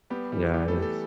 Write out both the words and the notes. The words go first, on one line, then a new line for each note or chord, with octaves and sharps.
Yeah, it is.
G3 B3 G4
E3 G3 G4
E3 G3 G4
A3 A4
G4
A3 A4